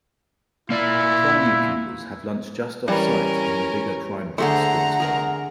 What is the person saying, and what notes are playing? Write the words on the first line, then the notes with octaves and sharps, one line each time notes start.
Primary pupils have lunch just offsite in the Biggar Primary Sports Barn.
A#3 E4 D5
E3 G3 C#4 A#4
D3 A3 G#4 C5 F#5 A#5
G#4 A#4